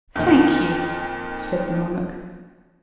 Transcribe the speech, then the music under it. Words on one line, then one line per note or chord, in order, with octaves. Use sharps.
"Thank you," said the monarch.
F2 A#2 D#3